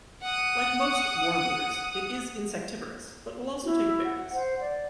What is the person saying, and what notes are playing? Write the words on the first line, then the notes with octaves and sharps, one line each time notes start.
Like most "warblers", it is insectivorous, but will also take berries.
F#5 D#6
E4 F#4
F#5
C5 F#5
D5